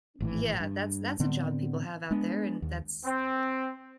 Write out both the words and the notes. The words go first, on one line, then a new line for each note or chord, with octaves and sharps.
Yeah, that's that's a job people have out there, and that's, i i
G#1 A2 E3
G2
A2 D3 B3 C4
G#3 B3 D4
D#2
C4